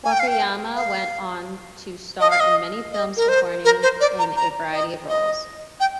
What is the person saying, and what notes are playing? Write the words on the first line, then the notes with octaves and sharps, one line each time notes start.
Wakayama went on to star in many films, performing in a variety of roles.
G#5
G5
F5
G5
F5
D#5
F5
D#5
D#5
A#4
C5
A#4
C5
D5
A#5
A#5
D#5
D#5
G5